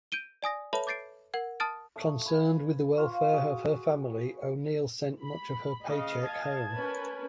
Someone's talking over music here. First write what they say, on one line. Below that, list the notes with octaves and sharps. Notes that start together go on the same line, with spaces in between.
Concerned with the welfare of her family, O'Neill sent much of her paycheck home.
G6 D7 D#7 G7
D5 G#5 D#6 A#6
A4 B4 C#5 E5 A5 B5
D6 G6 A6 C7 D7
A#4 F#5 G#6
A5 D#6 F6 A6 D7
A3 C#6 D#6
B4 G#5 B5
F4 F5 C#6
F#4 G#4
B5
C#3 D#5 F5
A5 G#6
C#4 A#4 B4